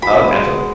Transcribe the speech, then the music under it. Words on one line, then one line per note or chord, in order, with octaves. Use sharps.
Oh, definitely.
F#4 B5
G#3